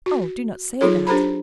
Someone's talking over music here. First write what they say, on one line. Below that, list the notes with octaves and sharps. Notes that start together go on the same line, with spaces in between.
"Oh! do not say that."
F#4
F#3 D#4 F4 G#4 A4 C#5
D4 G4 A4 C5 A#5 B5